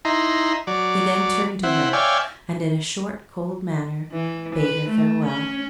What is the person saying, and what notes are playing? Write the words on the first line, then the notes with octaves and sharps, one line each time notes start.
He then turned to her, and in a short cold manner, bade her farewell.
D#4 E4 A#5 C6
F#3 D5
C4 E4 F#5
C#5 D5 E5 F5 G5 G#5
E3
B4
A3
C#4